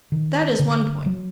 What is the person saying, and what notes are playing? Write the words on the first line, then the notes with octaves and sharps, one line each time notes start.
That is one point.
D#3
D3
F#3